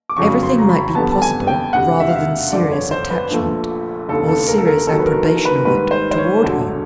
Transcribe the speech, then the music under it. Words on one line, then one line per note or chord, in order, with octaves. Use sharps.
Everything might be possible rather than serious attachment, or serious approbation of it toward her.
D6
F#1 F2 C#3 F#3 C#6
C6
A#5
B5
A#5
F2 D3 G3 B3 A5
A5
G#5
G5
E1 D2 C3 F#5
E5
F5
E5
G1 F2 D3 D5
C#5
C5
B4
A#1 A#2 F3 A3
E1 D#2 C#3 A4
A4
A#4
A4
A#4
D#2 D#3 F#3 A4
B4
A#4
A#4
B4
G#2 D#3 G3 B4
C5
C5
C#5
E1 D2 D3 F#3 A3